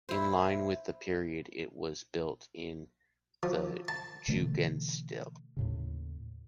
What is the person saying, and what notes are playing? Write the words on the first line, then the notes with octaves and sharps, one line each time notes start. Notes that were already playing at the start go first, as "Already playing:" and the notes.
In line with the period it was built in the Jugendstil.
E4 C5
F3
A5
B2 D3 E3 A3
D#2 A2 C#3